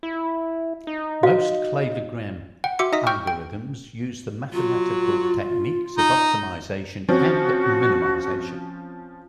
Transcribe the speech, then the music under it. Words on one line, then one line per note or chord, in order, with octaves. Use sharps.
Most cladogram algorithms use the mathematical techniques of optimization and minimization.
E4
D#4
F#4 F5
F#5 G5
F#4 E5 C6 D6 E6 C#7
D#4 D#5 E5 D#6 B6
G5 C#6 E6 F6 G6
G5
F#3 F4
D#4
F3 C4 C#4 F#4